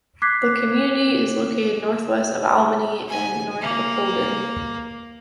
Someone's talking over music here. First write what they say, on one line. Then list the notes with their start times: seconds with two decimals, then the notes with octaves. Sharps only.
The community is located northwest of Albany and north of Holden.
0.22 D6 F#6 G#6 B6 C7
3.08 G#5
3.61 A#3